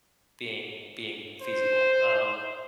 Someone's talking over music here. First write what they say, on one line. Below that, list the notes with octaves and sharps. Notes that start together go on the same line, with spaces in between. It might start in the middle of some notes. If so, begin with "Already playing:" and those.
being being feasible, um,
C5